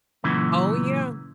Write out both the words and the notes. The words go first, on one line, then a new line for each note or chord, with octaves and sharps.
Oh, yeah.
F#2 A#2 C#3 E3